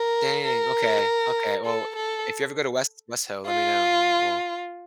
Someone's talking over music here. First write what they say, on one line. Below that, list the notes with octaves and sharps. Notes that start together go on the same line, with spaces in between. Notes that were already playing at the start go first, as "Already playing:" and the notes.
Dang, okay, okay. Well, if you ever go to West West Ho, let me know, and we'll
Already playing: A#4
A#4
A4
A4
F4